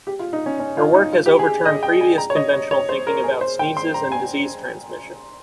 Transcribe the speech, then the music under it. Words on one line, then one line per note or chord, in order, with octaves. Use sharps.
Her work has overturned previous conventional thinking about sneezes and disease transmission.
G4
F4
D#4
C#4
C#4
F4
D#4
F4
G4
G#4
D#5
G5
G#5
A#5
C#5
D#5
C#5
C#5
C5
A#4
G#4
C5
G5
C6
A#5
G#5